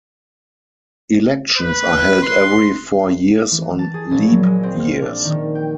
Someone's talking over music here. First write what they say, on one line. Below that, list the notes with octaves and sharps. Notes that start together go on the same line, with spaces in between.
Elections are held every four years on leap years.
B4
C6
E3
A5
G#4
A#1
F#3
G#3
C4
F6
D4
D#3
G5